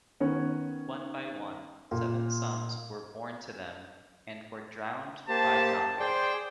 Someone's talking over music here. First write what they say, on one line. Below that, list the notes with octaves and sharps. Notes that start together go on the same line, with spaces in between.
One by one, seven sons were born to them and were drowned by Ganga.
D#3 B3 C#4
A#2
A#3 G4 C5 A5
G#4 C5 D5 G5